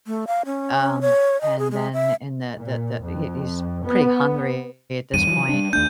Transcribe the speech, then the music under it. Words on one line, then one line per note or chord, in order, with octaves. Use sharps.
um, and then in the the the he he's pretty hungry at this point,
A3
F5
C#4
C#5
D#5
G#4
G#3
E5
A#2
F2
B3
E2 G2 D#7
E3 F#3
G3 D4
D#2 A3 D4 G6